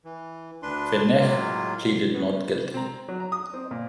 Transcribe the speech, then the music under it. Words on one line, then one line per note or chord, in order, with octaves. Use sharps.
Fenech pleaded not guilty.
E3
D2 D4 B4 C6
A2 F#3 G#3 A#3 F4
B3 C#4 B4
C4 C5 A#5
F#3
A#5
D#6
C4
A#2